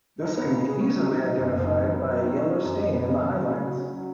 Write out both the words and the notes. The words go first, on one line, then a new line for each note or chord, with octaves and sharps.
This can be easily identified by a yellow stain in the highlights.
D#4
B3
C#3
G#4
C#4
F#3
D#4
F#3
F#2
F#1
D#3
F#2
B3
F#3
D#3
C#4
F#3
F#2
F#2
B3
C#3
B3
F#3
C#3
F#4
C#4
F#3